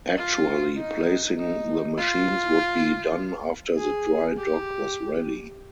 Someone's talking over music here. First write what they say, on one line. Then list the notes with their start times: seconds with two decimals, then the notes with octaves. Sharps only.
Actually placing the machines would be done after the dry dock was ready.
0.17 F4
0.77 D#4
1.37 D#4
1.98 F4
3.78 G#4
4.38 G4